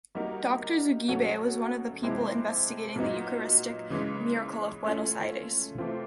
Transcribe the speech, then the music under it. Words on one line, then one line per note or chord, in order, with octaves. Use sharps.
Doctor Zugibe was one of the people investigating the Eucharistic miracle of Buenos Aires.
G3 A#3 D#4 F#4 A#4
B2 F#3 A3 C#4 F#4
C3 F3 G#3 C4 E4
A#2 F#3 B3 D#4
C#3 E3 G#3
A3 C#4 F4
C3 E3 A3 C4 F4